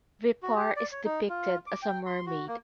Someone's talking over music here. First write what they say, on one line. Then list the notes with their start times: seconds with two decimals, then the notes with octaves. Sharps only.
Vepar is depicted as a mermaid.
0.43 F#4
0.55 G4
0.76 D5
0.92 C#5
1.05 D#4
1.29 F4
1.67 D6
1.82 G5
2.06 C6
2.27 F#4
2.48 A#3